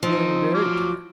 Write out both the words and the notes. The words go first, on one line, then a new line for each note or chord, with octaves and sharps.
Feeling very tired.
F3 C4 D#4
F#3 D6 F6